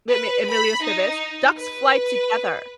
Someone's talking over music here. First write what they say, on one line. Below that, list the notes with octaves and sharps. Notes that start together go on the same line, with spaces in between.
With me Emilio Estevez. “Ducks fly together.”
B4
B5
D#4
B4